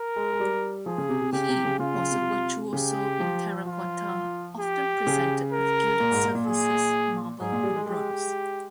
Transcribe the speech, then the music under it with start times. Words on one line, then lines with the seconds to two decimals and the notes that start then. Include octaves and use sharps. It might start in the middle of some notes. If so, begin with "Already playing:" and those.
He was a virtuoso in terracotta, often presented with gilded surfaces, marble and bronze.
Already playing: A#4
0.16 G#3
0.33 G#3
0.40 G3
0.86 F3 G#4
0.98 C#3
1.09 C3
1.22 C3
1.33 C#3 G4
1.49 C3
1.65 C#3
1.79 C#3 F4
1.95 C#3
2.11 C3
2.73 C#3 G4
3.20 F3
3.67 F4
4.60 G4
5.07 C#3
5.53 A#4
6.00 A#2
6.11 G#2
6.24 A#2
6.35 A#2
6.46 G#4
7.40 G#2 G#4
7.52 A#2
7.63 G3
7.76 G#3
7.86 G#3 G4
8.10 G#3